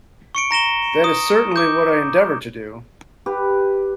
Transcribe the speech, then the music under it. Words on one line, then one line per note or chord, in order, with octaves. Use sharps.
That is certainly what I endeavour to do.
C#6 C#7 D7
A#5 A#6 E7 G7
D#6
D6 G6
G4 B4